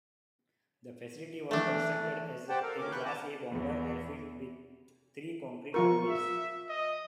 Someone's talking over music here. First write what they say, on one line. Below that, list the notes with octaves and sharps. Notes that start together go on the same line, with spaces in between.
The facility was constructed as a "Class A" bomber airfield with three concrete runways.
E3 A3 D4
G4 C5 D5 F#5 G5 A5
A4 A#4 F5
D2 C#4 A#4 D6
E3 A#3 B4 C#6 F#6 G6
A5 A#5 D6
E2
F3 F4 A#4 C#6
E5
D#5